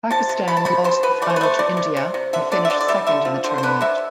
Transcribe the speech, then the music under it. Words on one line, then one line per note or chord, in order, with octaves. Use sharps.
Pakistan lost the final to India and finished second in the tournament.
C3 A5
C3
C3 B5
A5
C3 B5
B2 C5
B2 B4
A3 D5
C5
B4
A3 C5
C3 D5
C3
C3
C3
D3 E5
D3 D5
E5
D3 D5
D5
G3 E5
D3 E5
F3
D3 C5
C5
D3 B4
C3 E5